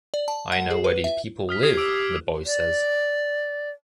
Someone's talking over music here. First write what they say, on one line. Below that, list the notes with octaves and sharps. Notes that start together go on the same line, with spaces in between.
I know where these people live”, the boy says.
D5
A5
F#5
G#4
B4
E5
D#6 F6 B6
G4 D#6 G#6 C7
D6 E6 D7
D5